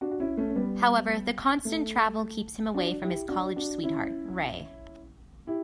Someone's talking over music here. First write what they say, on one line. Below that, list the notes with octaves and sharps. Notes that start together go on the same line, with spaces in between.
However, the constant travel keeps him away from his college sweetheart, Rae.
D4 F#4
F#4
C#4 E4
A3 C#4
C#4
G3 B3
A3
D4 F#4
E4 G4
D4 F#4
D4 F#4
C#4 E4
E4 G4